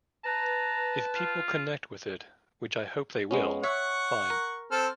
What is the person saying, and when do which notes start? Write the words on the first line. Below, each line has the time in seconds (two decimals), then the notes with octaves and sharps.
If people connect with it, which I hope they will, fine.
0.25 B4 A5 A#5
1.15 F4
3.31 G#3 B3 C#4
3.64 C#5 E5 F#5 C#6
4.30 A#4
4.72 C4 A4 F6